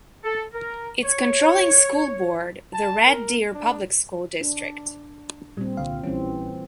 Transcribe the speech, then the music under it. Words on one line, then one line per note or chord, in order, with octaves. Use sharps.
Its controlling school board, the Red Deer Public School District.
A4
A#4
C#5
A5
A#4
D4
D4
A#2 G3 C4
C2 D3 F5
A#1 E3 G3 C4 C#4